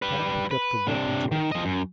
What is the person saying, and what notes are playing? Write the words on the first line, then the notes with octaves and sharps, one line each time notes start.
Tad picked up the weapon joyfully.
G3 B4
B4
C3 D4
D#3
F3 D#5
F#2